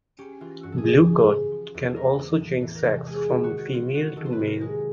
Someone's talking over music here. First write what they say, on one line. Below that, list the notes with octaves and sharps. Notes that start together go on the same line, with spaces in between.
Blue cod can also change sex from female to male.
C#4 G4
E3 F4
G2 F#4
A4
G#4
G2
G#4
C#3
C#3
F3
E2
A3 A#4
E3
A2
E3
A#4
C3 A4
G#3 G#4
D#3 G4
F#4
D#3
F#4
F#3 F4
D#3 F#4
D#3 A4
C5
B4
C3
A#4
G#3